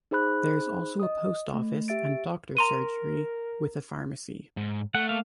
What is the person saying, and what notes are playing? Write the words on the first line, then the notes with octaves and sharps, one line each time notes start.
There is also a post office and doctors' surgery with a pharmacy.
D#4 G#4 C5 B5 F#6
D#5 D#6
A3
G4 E5 A6 D7
A#4 A#5 C6 D#7
G#2
A3 F#5
A#3 F5